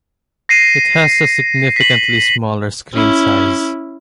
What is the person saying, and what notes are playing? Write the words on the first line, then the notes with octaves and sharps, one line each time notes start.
It has a significantly smaller screen size.
A#6 C7 D#7
B6 F#7
C#4 E4